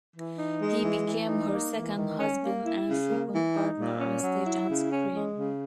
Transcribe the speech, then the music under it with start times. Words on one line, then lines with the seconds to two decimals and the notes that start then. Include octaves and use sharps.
He became her second husband and frequent partner on stage and screen.
0.15 E3
0.38 D#4
0.61 G#3
0.83 E3
1.06 E3
1.29 D#4
1.51 A#3
1.74 E3
1.97 D#3
2.20 C#4
2.42 A#3
2.65 E4
2.88 C#3
3.09 A#3
3.33 E3
3.56 D#4
3.78 A#2
4.00 C#4
4.23 F#3
4.46 E4
4.69 C#3
4.91 C#4
5.14 G#3
5.36 C#3